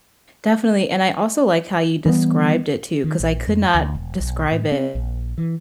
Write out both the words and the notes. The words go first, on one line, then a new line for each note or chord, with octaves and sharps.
definitely. And I also like how you described it too, 'cause I could not describe it,
E3 G3 A3 B3
D#3
A#1
F2
D2
E1
B1
A2
C4
A#1
E3